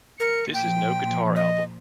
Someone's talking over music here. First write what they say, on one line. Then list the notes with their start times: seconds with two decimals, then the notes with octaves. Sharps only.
This is no guitar album.
0.20 A#4 C#7
0.54 A#2 F3 G5
1.36 D#5